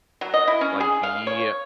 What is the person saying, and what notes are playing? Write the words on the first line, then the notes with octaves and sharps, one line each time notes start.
like be
F#3
D#5
E4
C#4
G#4
F5
C#5